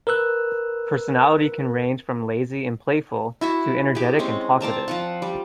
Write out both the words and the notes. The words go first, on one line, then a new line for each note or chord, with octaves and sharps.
Personality can range from lazy and playful to energetic and talkative.
A#4 B4 E6 F#6
E4 F#4 E5
G4 G#4
G#3 C4 C#4
C4 D5 A5 A#5
F3 F4 F#5
G3